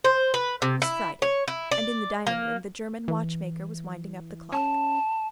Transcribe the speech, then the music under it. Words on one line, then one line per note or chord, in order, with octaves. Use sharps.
It was Friday, and in the dining room the German watchmaker was winding up the clock.
C5
B4
C3
E4
C#5
E4
D5
A#3
E3
C#4 A5